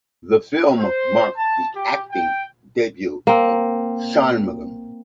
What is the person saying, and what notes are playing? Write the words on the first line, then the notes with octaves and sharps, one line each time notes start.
The film marked the acting debut of Shanmugham.
C5
A5
G4
G5
A#3 C4